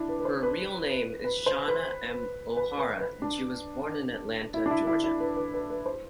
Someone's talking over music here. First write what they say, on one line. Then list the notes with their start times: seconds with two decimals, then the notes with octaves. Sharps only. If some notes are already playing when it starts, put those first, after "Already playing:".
Her real name is Shana M. O'Hara, and she was born in Atlanta, Georgia.
Already playing: D4 E4
0.09 B4
0.20 B4
0.25 C5
0.43 B4
1.24 B4
1.46 C5
1.68 B4
2.57 B4
2.78 B4
3.01 B4
3.22 D4
4.54 E4
4.66 D4
4.71 E4
4.87 E4
5.04 E4
5.20 B4
5.36 B4
5.54 B4
5.70 B4
5.86 C5